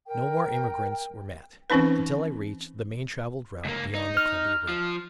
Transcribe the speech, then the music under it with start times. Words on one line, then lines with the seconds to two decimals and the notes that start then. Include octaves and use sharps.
No more immigrants were met until I reached the main-traveled route beyond the Columbia River.
0.06 A#4 G5
1.70 E3 C4 C#4 D#4 B4
3.65 C#2 A#3
3.95 D#4
4.17 F6
4.68 F3